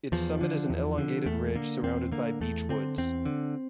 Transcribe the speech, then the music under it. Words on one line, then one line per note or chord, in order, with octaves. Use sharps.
Its summit is an elongated ridge surrounded by beech woods.
E2 F3
D3
E2
D3
E2 A3
D3 A#3
E2 C4
D3 A#3
E2 A3
D3 C4
E2 C4
D3